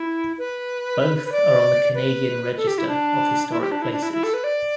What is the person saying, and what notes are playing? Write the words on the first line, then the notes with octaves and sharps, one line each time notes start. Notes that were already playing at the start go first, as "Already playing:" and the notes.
Both are on Canadian Register of Historic Places.
Already playing: E4
B4
B4
D5
B4
A4
G4
E4
D4
E4
G4
D4
E4
D4
E4
E4
A4
B4
D5